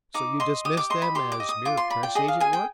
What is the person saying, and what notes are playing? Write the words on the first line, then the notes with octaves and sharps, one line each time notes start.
"So you dismissed them as mere press agent work?"
D#4 D6
D#5 C6
G4 D#6
D6
D#5 C6
B5
G4 C6
D6
D#5
D#6
F4 D6
C6
D5 B5
G5
G#4 D#5
F5
G#4 G#5
G5